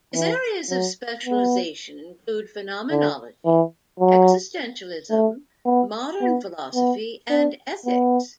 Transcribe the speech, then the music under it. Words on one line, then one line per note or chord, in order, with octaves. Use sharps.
His areas of specialization include phenomenology, existentialism, modern philosophy, and ethics.
E3
F#3
B3
D3
E3
F#3
A3
B3
B3
B3
D4
B3